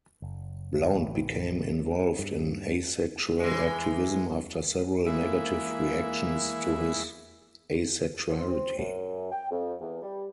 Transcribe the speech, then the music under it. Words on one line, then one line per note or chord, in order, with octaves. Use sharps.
Blount became involved in Asexual activism after several negative reactions to his Asexuality.
F#1
A1
G2
E3 G#3
E3 G#3 A#3 E4
C5
C4
F#2
G5
F2
E2
G3